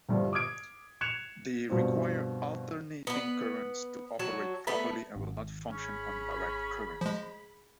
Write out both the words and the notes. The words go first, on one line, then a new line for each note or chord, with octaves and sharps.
They require alternating currents to operate properly and will not function on direct current.
C2 G2 D3 F3
D6 D#6 F6 G#6 D7
F#6 G#6 C#7 E7 F7
G2 B2 F3 C4
B3 B4
F#3 F#4 A5
A3 B3 B4
G#1
C#4 G#4 B5
F3 G#3